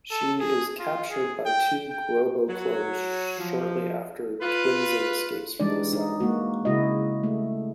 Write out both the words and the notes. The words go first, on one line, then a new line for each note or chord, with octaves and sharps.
She is captured by two Grobo clones shortly after Twinsen escapes from the asylum.
A4
G#4
F4
G#4
G5
G5
F#3
F3
F4 B4
E3 G3 G#3 D4 D#4 D5
D#4
G#3 A#3 F#4
C#3 G#3 E4 F#4 D#5
A3